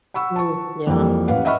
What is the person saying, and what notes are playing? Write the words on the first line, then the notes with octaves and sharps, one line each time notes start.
Mm, yeah.
F#5 B5 C#6 E6
A5 C#6
F2 E3 F3 G3 A#3
A1 B4 F5 F#5
D#5 E5 F#5 B5 C#6 F6